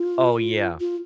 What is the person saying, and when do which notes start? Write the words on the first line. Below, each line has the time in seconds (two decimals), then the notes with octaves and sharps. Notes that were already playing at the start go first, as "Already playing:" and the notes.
Oh, yeah.
Already playing: F4
0.80 F4